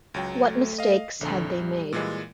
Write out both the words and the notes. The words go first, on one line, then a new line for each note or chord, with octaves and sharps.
What mistakes had they made?
C#2 F#3 G5
A3
D#5 F5
A#1 F2 D3
G3
A#2 E3 G#3